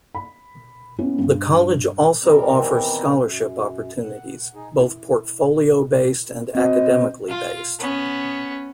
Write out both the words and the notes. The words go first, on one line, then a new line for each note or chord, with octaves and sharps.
The college also offers scholarship opportunities, both portfolio-based and academically-based.
B5
B3 C#4 E4
G2
D#3 E3 G3 B3 C4 A#4
F#2
F#5
D#4 G#4
E4
C4 F#4 C5 D#5
F4
B3 C#4